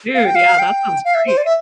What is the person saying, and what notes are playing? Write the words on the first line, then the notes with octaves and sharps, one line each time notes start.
Dude, yeah, that sounds great.
F5
G5
F5
G5
F5
E5
C5
D5
E5